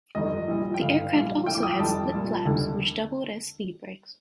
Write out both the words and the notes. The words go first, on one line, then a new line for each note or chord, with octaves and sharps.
The aircraft also had split flaps, which doubled as speed brakes.
G1 F2 D#3 G3 D#5
A#1 A#2 G3
G5
G1 G2 D3 F5
A#1 A#2 G3
A#1 A2 F3 G5
D6
D#6
G5
F1 F2 D#3 G3 A5
C2 A#2 G3
F1 D#2 D3 G3